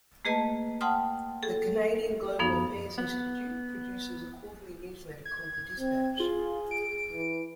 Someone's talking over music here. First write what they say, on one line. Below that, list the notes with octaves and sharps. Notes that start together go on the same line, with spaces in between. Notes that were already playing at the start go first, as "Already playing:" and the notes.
The Canadian Global Affairs Institute produces a quarterly newsletter called "The Dispatch".
A3 A#3 G#4 B4 D#5 A5
F#5 G5 A5 C6 D#6 F6
G#4 A4
F#2 F3 B3 D#4
B3
G#6
C4
F4 G#4
D7
E3